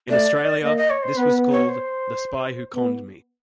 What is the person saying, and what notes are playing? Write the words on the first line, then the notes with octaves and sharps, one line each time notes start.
In Australia, this was called "The spy who conned me".
A3 D5
A#3 D#5
D#5
C#5
C5
B3 B4
C#5
C5
B3